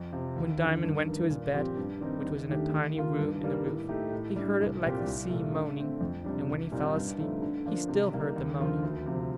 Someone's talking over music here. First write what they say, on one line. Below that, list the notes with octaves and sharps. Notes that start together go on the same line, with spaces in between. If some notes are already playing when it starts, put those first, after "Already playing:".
When Diamond went to his bed, which was in a tiny room in the roof, he heard it like the sea moaning; and when he fell asleep he still heard the moaning.
Already playing: F2
C3 F3
D#2
D3 F3
G2
D#3 A#3
A#2
F3 C4 G4
G2
D#3 G3 C4 D#4
D#2
D#3 A3 D4 G4
D#2
D#3 A#3 F4
G2
D#3 G3 A#3
A2
A3 D#4 G4
A2
G3 D4
C2
A#2 G3 C4 G4
C2
A#2 A3
D3
A3 C4
F2
C3 G3 D4
C2
A#2 G3 C4 D#4
G2
D3 F3 A3 D#4
D3
F3 A#3 D4
C3
G3 A#3 D#4
D#2
D3 F3 A#3 F4
D2
C3 F3